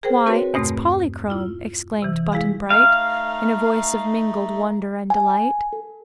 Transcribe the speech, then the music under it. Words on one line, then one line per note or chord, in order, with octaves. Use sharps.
"Why, it's Polychrome!" exclaimed Button-Bright, in a voice of mingled wonder and delight.
G#4 A#4 C5 G5
C4 F#4 A#4 B4 C#5
E2 G2 B2 A3 C4
E4 F4
C3 E3
G#3 E4 G#4 F5
A3 D#4 F5
G#5
G#5
A4